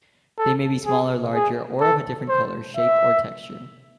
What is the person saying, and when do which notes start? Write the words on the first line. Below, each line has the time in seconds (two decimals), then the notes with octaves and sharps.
They may be smaller, larger, or of a different color, shape, or texture.
0.38 A4
0.86 G#4
1.34 G#4
1.80 A4
2.29 C5
2.77 E5